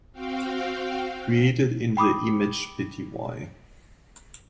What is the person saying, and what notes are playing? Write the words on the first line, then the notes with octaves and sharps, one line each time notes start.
Created in the Image Pty.
C4 F#4 F5 G5
G5 B5 D6 D#6